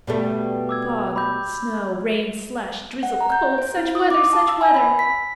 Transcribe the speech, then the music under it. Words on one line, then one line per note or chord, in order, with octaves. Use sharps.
Fog, snow, rain, slush, drizzle, cold--such weather! such weather!
B2 G3 A3
D6 E6 G#6
B5 D6 G6
F#5
A#5
G6
C5
E4
D#6
D6
A5
E6
G#5
B5
B6